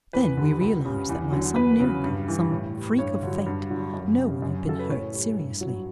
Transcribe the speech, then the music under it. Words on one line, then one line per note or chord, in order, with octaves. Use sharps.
Then we realized that by some miracle, some freak of fate, no one had been hurt seriously.
E2 B4
D3 G3
C#2
C#3 G3
E2
D3 F#3
E2 B4
C#3 F#3
G2
E3 G3
A2
G3
G2 C#5
D3 F#3
G2
D3 F#3
F#2
C#3
G3
F#2
C#3 F#3 A4
B4
A2 C#5
G3
G2
F#3